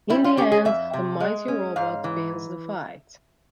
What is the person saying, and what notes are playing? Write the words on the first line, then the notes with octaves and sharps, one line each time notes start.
In the end, the Mighty Robot wins the fight.
G3 E4
F4
C#4 G4
G#4
F2 E5
C3
G#3
C#4
G#2 F5
E3